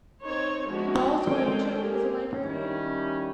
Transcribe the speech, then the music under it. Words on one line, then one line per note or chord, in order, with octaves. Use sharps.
Ball's wife Jill is a librarian.
C4 D#4 C5 C#5
F3 G#3 B3 D4 E4 F#4
G#3 C4 A4 A#4 C5 G5
A#3 G4 G#4 A#4
D#3 G3 C#4 E4